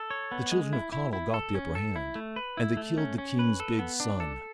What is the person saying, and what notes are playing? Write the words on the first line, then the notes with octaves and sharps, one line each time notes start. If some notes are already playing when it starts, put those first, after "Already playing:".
The children of Conall got the upper hand, and they killed the king's big son.
Already playing: A4
C#5
B3
G#3
E4
E4
E4
A4
C#4
A4
E4
A3
B4
E4
A3
C#4
C#4
B4
A4
B3
D4
A4